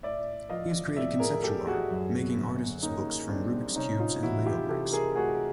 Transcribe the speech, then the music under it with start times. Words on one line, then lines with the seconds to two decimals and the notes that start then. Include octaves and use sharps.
He has created conceptual art, making artist's books from Rubik's Cubes and Lego bricks.
0.03 A2 D5 E5
0.49 F3 D#5 F5
0.97 A2 D5 E5
1.20 G#4 A#4
1.43 A3 G4 A4
1.67 F#4 G#4
1.90 F#2
2.36 D3
2.83 A#3 C#4 D#4
3.29 G3 C4 D4
3.76 C3 C#4 D#4
4.00 D#4 F4
4.23 E3 E4 F#4
4.46 F4 G4
4.69 C3 G4 A4
4.92 G#4 A#4
5.16 A3 F#4 G#4